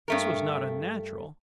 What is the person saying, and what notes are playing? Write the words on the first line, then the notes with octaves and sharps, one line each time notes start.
This was not unnatural.
G2 A3 A#4